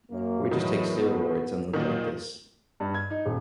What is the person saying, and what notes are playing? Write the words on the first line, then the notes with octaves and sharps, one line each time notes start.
We just take steroids and look like this.
F#2 A#3
E2 A2 D#3 E3 F#3
B3
D#2 A#2 D#3 F#3 G3
G2
G#6
D#4
D#1